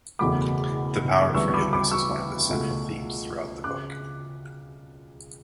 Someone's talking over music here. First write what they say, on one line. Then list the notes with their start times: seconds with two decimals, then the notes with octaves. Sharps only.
The power of forgiveness is one of the central themes throughout the book.
0.19 F#1 E2 B2 F#3 A3 B5 D6
1.34 D2 C#3 E3 G3 B3 C#6 E6
1.47 C#6
1.54 B5 D6
1.73 B5 D6
1.91 C#6 E6
2.49 C#2 B2 A3
3.64 C#3 D6 F#6